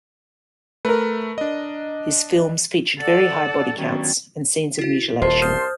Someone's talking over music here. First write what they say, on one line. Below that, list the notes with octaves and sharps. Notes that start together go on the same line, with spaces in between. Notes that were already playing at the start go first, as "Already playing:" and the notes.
His films featured very high body counts and scenes of mutilation.
A3 A#4 B4
D4 D#5
A4 D5 F#5 A5 E6
D#3 F#3 G3 B3 C#4 D4
E4 F#4
D#1 C2 C5 D#5 A5 C6
D#6 F6 G6